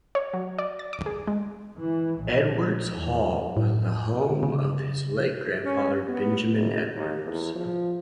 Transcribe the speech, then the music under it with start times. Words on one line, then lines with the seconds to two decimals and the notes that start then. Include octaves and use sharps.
"Edwards Hall" was the home of his late grandfather, Benjamin Edwards.
0.15 C#5
0.34 F#3
0.58 D5
0.79 A6
0.93 D6
1.06 G#4
1.27 G#3
1.78 E3
2.20 A#1
2.93 E2
3.57 A2
4.43 C#3
5.65 C#4
6.08 B3
6.53 F#1
6.95 D#2
7.26 E2
7.55 F3